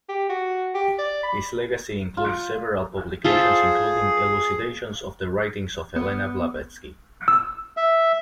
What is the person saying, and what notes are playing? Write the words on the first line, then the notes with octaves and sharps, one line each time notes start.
His legacy includes several publications, including elucidations of the writings of Helena Blavatsky.
G4
F#4
G4
D5
B5
F4
F4 G#4 A4 C5
B3
E6
E5